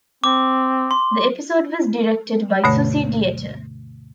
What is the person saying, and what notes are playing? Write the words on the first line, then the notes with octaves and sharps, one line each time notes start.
The episode was directed by Susie Dietter.
C4 D6
C6
D2 G2 B2 D3 A3 C#5